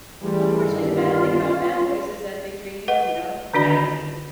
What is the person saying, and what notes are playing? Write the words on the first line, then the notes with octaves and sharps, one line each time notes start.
unfortunately, the bad thing about bad boys is that they treat you, you know, badly.
E3 G3 A3 G#4 C6
G2 D3 D#3 E4
F4
C#4 B4 D#5
B4 D#5 F#5
D3 D#3 D4 F#4 D5 B5